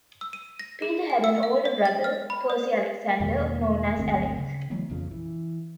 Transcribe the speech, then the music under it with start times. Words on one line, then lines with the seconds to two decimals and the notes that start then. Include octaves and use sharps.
Peter had an older brother, Percy Alexander, known as Alec.
0.21 E6
0.33 D#7
0.59 A#6
0.82 G#4
1.10 G#5
1.24 E6
1.43 F5
1.65 D5
1.85 A6
2.04 F6
2.30 B5
2.50 D5
3.20 E2 B2 D#3 A#3
3.98 G1 D2 A3 C4
4.39 C#3
4.70 E3 F#3 A3 B3
4.90 A#1 F2 C#3
5.11 E3